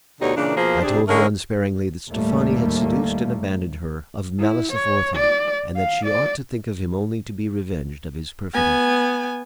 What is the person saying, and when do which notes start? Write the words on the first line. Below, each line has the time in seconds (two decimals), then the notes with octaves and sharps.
I told her unsparingly that Steffani had seduced and abandoned her of malice aforethought, and that she ought to think of him only to be revenged of his perfidy.
0.20 D2 B2 D3 D#4 G4 C#5
0.36 A#2 C#3 E3 A#3 D4
0.56 B2 F3 A#3 G#4 A#4 C5
0.82 C3 D4 G#4
1.07 D3 G#3 A3 C#4 A#4
2.09 D#2 A2 G3 A3 A#3
4.39 E4
4.72 C#5
5.16 D5
5.76 F5
6.05 D5
8.54 B3 G#5